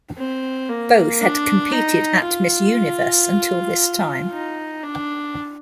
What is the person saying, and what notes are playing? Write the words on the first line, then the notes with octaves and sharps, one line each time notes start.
Both had competed at Miss Universe until this time.
C4
A#3
D4
D#4
F4
D#4
D4